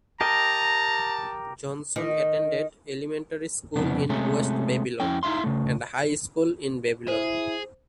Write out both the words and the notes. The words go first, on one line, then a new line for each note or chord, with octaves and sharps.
Johnson attended elementary school in West Babylon and high school in Babylon.
G4 A#4 D#5 A5 A#5
D#3
C2 F2 C#3 B3 D4
C3 G#3 A3 C#4
F2 C#4 E4 G5
D#4 E4 E5 F5 C6
C#3 A3
E4 G#4 C5